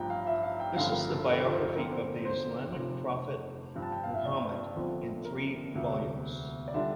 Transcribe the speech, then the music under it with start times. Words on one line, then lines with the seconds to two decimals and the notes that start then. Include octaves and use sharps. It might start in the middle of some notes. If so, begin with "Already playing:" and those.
This is the biography of the Islamic prophet Muhammad in three volumes.
Already playing: A1 G2 F3 G5 A#5
0.10 F5
0.27 E5
0.43 F5
0.60 G5
0.76 A1 G2 D3 F3 C4 F5
0.92 A#4
1.10 A4
1.26 G4
1.43 F4
1.52 C5
1.59 A#4
1.75 E2 D3 F3 C4 A#4
1.92 C5
2.09 A#4
2.25 C5
2.76 F1 F2 C3
3.75 G2 F3 C4
3.82 A5
3.92 G5
4.04 F5
4.14 E5
4.25 D5
4.75 G1 F2 D3 F3 C4
5.25 A#4
5.74 E1 D2 C3
6.68 D5
6.74 D3 G3 D4 E5